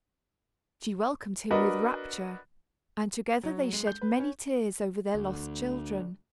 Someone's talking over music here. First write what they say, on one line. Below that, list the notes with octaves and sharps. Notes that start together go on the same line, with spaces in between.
She welcomed him with rapture, and together they shed many tears over their lost children.
D4 F#4 A#4 B4 D#5
F#3
G#3
G6
B4
C#4
D2